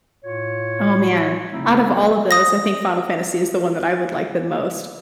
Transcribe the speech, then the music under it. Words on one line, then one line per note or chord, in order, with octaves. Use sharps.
Oh, man, out of all of those, I think Final Fantasy is the one that I would like the most.
A2 F4 C#5
C#3 A3 C4 D#4 E4
F#3 C#4
D#6 A#6